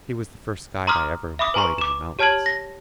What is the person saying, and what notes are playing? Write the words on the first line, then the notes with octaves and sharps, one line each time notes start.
He was the first guide I ever employed in the mountains.
A#5 C6 D6 D#6 F6
E5 B5 D6 D#6
B4 G#5 A#5 C6 C#6
D6 E7
G4 C#5 A5 F6 G#6 F#7
A#6